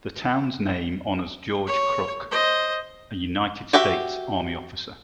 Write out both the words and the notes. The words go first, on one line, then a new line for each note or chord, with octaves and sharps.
The town's name honors George Crook, a United States Army officer.
C#5
C5 D#5
F#4 G4 E5 G5